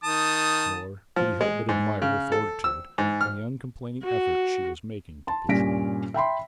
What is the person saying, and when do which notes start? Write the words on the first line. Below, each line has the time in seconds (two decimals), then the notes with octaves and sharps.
Nor could he help but admire her fortitude and the uncomplaining effort she was making to push on.
0.04 D#3 A5 D#6
1.16 F3
1.41 G#3
1.69 G#2
2.02 C#3
2.32 A4
2.64 E6
2.98 G#2
3.21 F6
4.03 F#4
5.27 A5 C6
5.49 G2 A#2 C#4 A#6 B6 D7
6.14 E5 G5 B5 C6